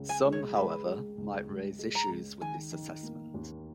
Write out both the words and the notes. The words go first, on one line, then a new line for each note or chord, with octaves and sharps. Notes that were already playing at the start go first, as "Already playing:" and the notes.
Some, however, might raise issues with this assessment.
Already playing: C#2 C#3
G#5
G#3
C#5
G#3 B4
G#3
C#2
C#2
G#3
A#5
C#2
D#3 G#5
D#3
A#3
D#2